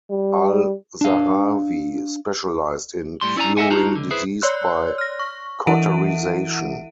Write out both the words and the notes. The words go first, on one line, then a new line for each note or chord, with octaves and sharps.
Al-Zahrawi specialized in curing disease by cauterization.
G3
D4 F5
A2 G3 C6
C#4 E4 D5 G#5 A#5
A4 D#5 E5 F#5 G#5
D#4 F4 F#4 A5 A#5
C#2 D3
E4 G#4 B4 C5
C#5 D5 C6 E6 F#6
F6 A#6
C#6
E3 E4 E5 F#5 D7 D#7